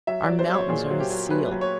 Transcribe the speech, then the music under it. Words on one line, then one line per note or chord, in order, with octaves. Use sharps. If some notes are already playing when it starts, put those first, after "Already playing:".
Our mountains are his seal.
F#3 E5
F#3 D5
C5
F#3
C#5
A#2 G#4
F#3
G4
F#3
F#3 B4
F#3
C#5